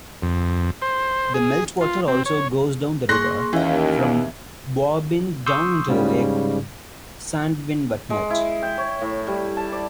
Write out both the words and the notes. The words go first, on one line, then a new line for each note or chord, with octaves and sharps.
The melt-water also goes down the river from Buarbreen down into the lake Sandvinvatnet.
F2
C5
G#4
F4
C4
C#5
A#3 G#4 C6 C#6 F#6 A#6
D#2 E3 C#4 F5
C6 C#6 D#6 E6 G6
G#2 C#3 G3
G#3
E4
G5
C#5
A2
G3
A5
D5